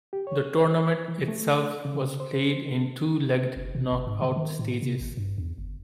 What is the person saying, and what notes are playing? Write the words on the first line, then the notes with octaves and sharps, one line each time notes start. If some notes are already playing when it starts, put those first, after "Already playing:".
The tournament itself was played in two-legged knockout stages.
G4
C#5
C5
E3
A3
C#3
C5
F#1
B2
G1
G#2
D3
D#3
A2
C3
G#1
G2
E2
G1